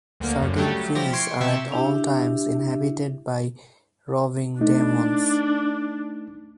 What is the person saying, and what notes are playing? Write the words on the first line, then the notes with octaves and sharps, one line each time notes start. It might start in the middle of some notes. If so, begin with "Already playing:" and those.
Certain trees are at all times inhabited by roving demons.
D2 D3 A#3
F#2
F#3 G3 A3 G4
F3 E4 G4 A#6
C6 C#6 G#6 C7 D7
C3 G4 E5 C#6
D4 E4 G4 E5
A3 D4 D#4